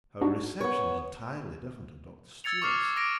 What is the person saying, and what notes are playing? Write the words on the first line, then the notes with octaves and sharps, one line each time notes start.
Our reception was entirely different at Doctor Stewart's.
D4 D#4 F#4
B3 C#5
E6 G#6 A6 C#7 F7
C#6 D6 F6 C7
D6 A#6 D7